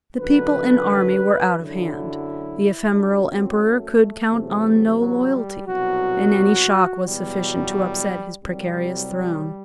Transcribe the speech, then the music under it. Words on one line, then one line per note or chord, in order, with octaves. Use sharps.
The people and army were out of hand, the ephemeral emperor could count on no loyalty, and any shock was sufficient to upset his precarious throne.
F#2 D3 F#3 B4
F#2 D3 F#3 E4
F#2 F#3 D4
C4
A3
E2 C3 F#3
F#3
G3
C2 B2 F#3 F#4
E2 B2 F#3 G3
C2 C3 F#3 G3